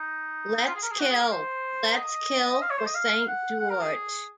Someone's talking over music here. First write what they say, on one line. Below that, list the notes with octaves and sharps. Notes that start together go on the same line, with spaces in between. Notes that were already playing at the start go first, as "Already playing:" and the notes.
Let's kill, let's kill", "for Saint George!
Already playing: D#4
F4
G#4
A#4
G#4
F#4
G#4
A#4
C5
D#5
F5
C#5
C5
D#5
F5
F#5
F#5
A#4
G#4